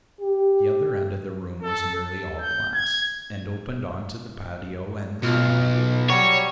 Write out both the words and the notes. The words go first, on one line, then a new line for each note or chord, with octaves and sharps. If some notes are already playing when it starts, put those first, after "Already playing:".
The other end of the room was nearly all glass, and opened onto the patio and the swimming pool.
G4
A4
A4
G6
G#6
B1 B2 F4 F6
F#3 G3 C#5